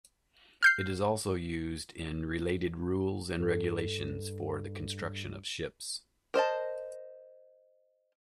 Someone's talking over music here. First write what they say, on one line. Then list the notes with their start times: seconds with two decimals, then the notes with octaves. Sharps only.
It is also used in related rules and regulations for the construction of ships.
0.63 F6 G6 C7
3.41 G2 A4
6.34 A#4 C5 D#5 A5